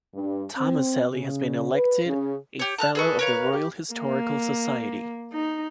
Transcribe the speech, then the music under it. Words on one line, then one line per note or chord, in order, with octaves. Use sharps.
Tomaselli has been elected a Fellow of the Royal Historical Society.
G2
C4
C#3
B4
C#3
G4 C#5
A4 A5 F6 F#6
G#4 A4 B4 C#6
A#4 C#5 F5
G4
A#3
D#4